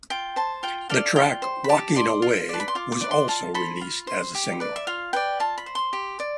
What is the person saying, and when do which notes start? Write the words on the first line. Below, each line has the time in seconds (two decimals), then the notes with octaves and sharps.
The track "Walking Away" was also released as a single.
0.10 F4 G5
0.36 C5 A5
0.63 F4 G5
0.89 A4 D5 F5
1.16 F4 G5
1.42 C5
1.64 B5
1.69 G4 A5
1.96 D5 C6
2.22 F4
2.49 B4 D5 A5
2.60 B5
2.68 C6
2.75 F4 D6
2.92 D6
3.01 B4 D5
3.11 C6
3.28 F4 A5
3.54 A4 C5 B5
3.81 F4
4.07 C5
4.34 G4
4.60 B4 D5
4.76 E5
4.87 F4 F5
5.13 B4 D5 G5
5.40 F4 A5
5.58 B5
5.66 C5
5.75 C6
5.93 G4
6.20 D5